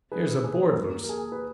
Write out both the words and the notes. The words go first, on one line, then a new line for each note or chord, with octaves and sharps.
'Here's a board loose.
D#3 G#4 B4
A#3 G#4 B4
D#2 A#4
A#4
D#2 G#4
B4